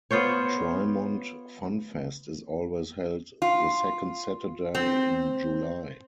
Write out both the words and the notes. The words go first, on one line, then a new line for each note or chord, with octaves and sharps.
Trimont FunFest is always held the second Saturday in July.
B3 F4 C5 C#5
F4
C4